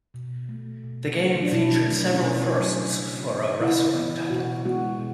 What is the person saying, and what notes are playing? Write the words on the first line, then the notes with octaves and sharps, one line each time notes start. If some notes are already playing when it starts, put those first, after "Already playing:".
The game featured several firsts for a wrestling title.
B2
A3
B2
A3
D4
B2 E4
F#3 A3
C#4
B2 D4
F#3 A3
C#3
E3 B3
C#3 E4
E3 B3
B2 F#4
G#3 B3 F#4
B2